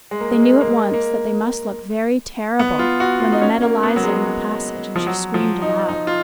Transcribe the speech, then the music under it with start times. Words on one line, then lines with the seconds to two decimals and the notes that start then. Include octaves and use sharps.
They knew at once that they must look very terrible when they met Eliza in the passage, and she screamed aloud.
0.11 G#3
0.21 A#3
0.31 G#3
0.40 A#3
0.50 G#3
0.61 A#3
0.71 G#3
0.94 A#3
2.59 B3
2.79 F4
3.00 F#4
3.20 F4
3.32 D#4
3.41 C#4
3.62 A#3
3.83 B3
3.96 F#3
4.04 G#3
4.96 F3
5.07 F#3
5.34 F3
5.62 D#4
5.88 D#4
6.07 F4